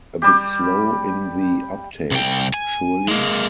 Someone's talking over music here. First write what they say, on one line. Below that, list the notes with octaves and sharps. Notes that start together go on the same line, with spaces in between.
A bit slow in the uptake, surely?
G3 G4
C2 G5
G#5
G#3 A#3